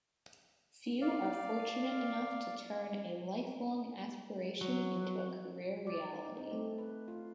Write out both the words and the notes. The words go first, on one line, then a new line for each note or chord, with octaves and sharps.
Few are fortunate enough to turn a lifelong aspiration into a career reality.
D5 F5
F#3
D5
D#4
C4
A3
B4
F4